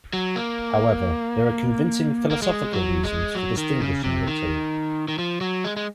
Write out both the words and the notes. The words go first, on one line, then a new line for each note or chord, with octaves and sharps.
However, there are convincing philosophical reasons for distinguishing the two.
F#3
A#3
A#3
G#3
F#3
G#3
F#3
D#3
C#3
C3
D#3
D#3
F3
F#3
G#3
G#3